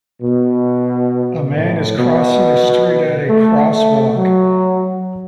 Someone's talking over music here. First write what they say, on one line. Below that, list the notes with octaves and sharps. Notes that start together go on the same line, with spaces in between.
A man is crossing a street at a crosswalk.
B2
A2
B2
A3
A3
F#3